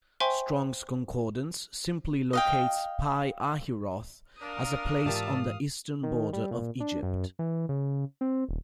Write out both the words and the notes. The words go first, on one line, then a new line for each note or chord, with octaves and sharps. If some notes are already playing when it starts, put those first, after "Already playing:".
Strong's Concordance simply locates Pi-Hahiroth as 'a place on the eastern border of Egypt'.
C5 E5 G5 G#5 C6 C#6
D#5 F5 G5
D4 A#4 F5 D#6
G#2 E3 F4 G4 A#4 D5 E5 A5
D#3
G3
A#2
D4
F#2
E3
C#3
C4
D#1